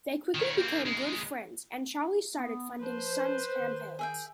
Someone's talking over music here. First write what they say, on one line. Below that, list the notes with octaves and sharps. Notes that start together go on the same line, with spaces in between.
They quickly became good friends and Charlie started funding Sun's campaigns.
D#3 C#4
A#3 C4
D#2 G#3
B3
F3 B4 C5
D#3
G#4 E5 G5